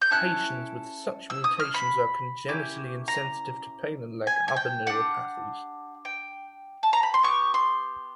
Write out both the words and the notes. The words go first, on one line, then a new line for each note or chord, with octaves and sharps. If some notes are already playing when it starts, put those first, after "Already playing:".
Patients with such mutations are congenitally insensitive to pain and lack other neuropathies.
G6
C#4 E4 A4 F#6
E6
D#6
F6
B5
A#3 C#4 E4 G4
A#5
G#5
G#5
G5
D4 G4 F#5
G5
A5
A#5
B5
C6
B3 D4 G4 C#6
C6